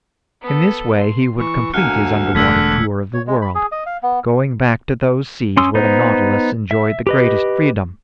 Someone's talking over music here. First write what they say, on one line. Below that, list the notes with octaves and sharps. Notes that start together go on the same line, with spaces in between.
In this way he would complete his underwater tour of the world, going back to those seas where the Nautilus enjoyed the greatest freedom.
B3 A4
C6
E3 C#6
D2 A#3 G#5 F6 F#6 C#7
E1 D3 A3 G#4 D5 E6 G#6 B6
C#5
G#3
B5
G#4
D#5
F5
B3
C#4 C6 D#6 E6
B3 D#4 C5
E5
G4 B4 D#5